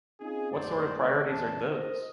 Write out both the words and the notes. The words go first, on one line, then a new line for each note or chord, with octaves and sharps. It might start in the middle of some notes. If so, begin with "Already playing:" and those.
What sort of priorities are those?
C4 C#4 D#4 F4 G#4
A#1 F#2 G3 A3 C5 D5
A1 D3 D5
E2 A#2 C#3 E3 D4 A5
A#4 C5 D#5